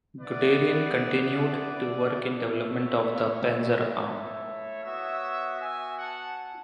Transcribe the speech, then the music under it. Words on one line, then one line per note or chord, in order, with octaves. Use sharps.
Guderian continued to work in development of the panzer arm.
B3 E4 B4 D5
A3 E4
C#5 E5
A3 E4
C#5 E5
B3 F#4 C#5 E5
E5 G#5
F#5 A5